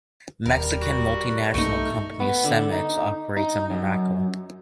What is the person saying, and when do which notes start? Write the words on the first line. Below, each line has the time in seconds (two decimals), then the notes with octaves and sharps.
Mexican multinational company Cemex operates in Monaco.
0.46 D#1 G3 A#4
0.82 F#4
1.54 B1 G2 A3 A#3 D#4 C#6
2.20 B3
2.44 D3
2.72 D#4
3.37 D#4
3.71 F#2